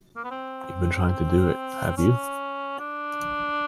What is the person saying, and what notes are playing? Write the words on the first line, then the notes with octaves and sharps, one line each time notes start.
You've been trying to do it, have you?
A#3
B3
C4
C#4
D4